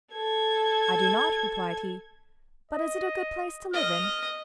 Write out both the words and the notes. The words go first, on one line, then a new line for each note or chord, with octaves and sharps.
'I do not,' replied he, 'but is it a good place to live in?'
A4 G#6
D#5
D#5 F6